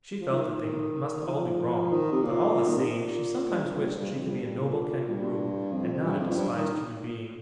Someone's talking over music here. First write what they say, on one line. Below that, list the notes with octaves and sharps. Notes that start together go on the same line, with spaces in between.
She felt that they must all be wrong; but, all the same, she sometimes wished she could be a noble kangaroo, and not a despised human being.
F3
D#3
D#3
F3
D#3
C3
A#2
D#3
C3
A#2
G2
A#2
G2
G2
F2
G2
G2
A#2
G2
F2
F2
G2
F2
F2
G2
D#3